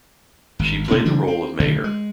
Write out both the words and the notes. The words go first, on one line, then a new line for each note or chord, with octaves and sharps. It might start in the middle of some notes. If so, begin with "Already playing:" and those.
She played the role of mayor.
G#1
B2 A3 B3 C#4
C#3 E3 G3 D4
C4
B1 D3 D#3 A3
G#3